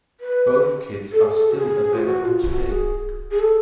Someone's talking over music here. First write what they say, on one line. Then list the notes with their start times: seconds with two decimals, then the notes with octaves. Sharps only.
Both kits are still available today.
0.20 B4
1.12 A4
1.23 G#4
1.33 A4
1.51 F#4
1.57 G#4
1.94 F4
2.03 F#4
2.25 F4
2.48 F#4
2.72 G#4
3.31 G#4
3.40 A4